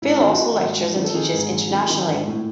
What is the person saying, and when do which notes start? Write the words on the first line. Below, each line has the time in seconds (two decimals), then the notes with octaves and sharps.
Phil also lectures and teaches internationally.
0.02 G#2 E4
0.21 D#3
0.30 F#4
0.40 D#3
0.59 G#2
0.77 G#2
0.96 D#3
1.04 A4
1.14 D#3 G#4
1.34 G#2
1.52 G#2
1.71 D#3
1.90 D#3
2.08 G#2
2.27 A2